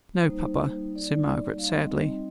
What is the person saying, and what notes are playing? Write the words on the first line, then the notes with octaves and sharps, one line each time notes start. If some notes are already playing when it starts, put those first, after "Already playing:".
'No, papa,' said Margaret, sadly.
G3 A#3 D#4 C5
D5
F5
G3 C4 D#4 D#5